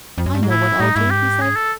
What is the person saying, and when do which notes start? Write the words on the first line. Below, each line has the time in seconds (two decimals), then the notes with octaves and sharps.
"I know what I'll do," he said.
0.18 F2
0.26 F#2
0.35 G2
0.43 G#2
0.50 A2 E4
0.80 A2 D#4
0.95 G#2 E4
1.05 G2
1.11 G#2 G4
1.41 G#4
1.56 A4